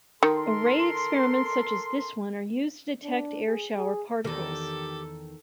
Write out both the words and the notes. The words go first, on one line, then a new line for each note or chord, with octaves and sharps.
Array experiments such as this one are used to detect air shower particles.
D#3 A4 A#4 C6
D4
G#4
G#4
E2 D#3 G4 A4